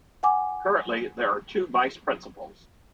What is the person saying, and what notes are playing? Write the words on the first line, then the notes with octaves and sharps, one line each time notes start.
Currently, there are two Vice Principals.
F#5 G#5 D6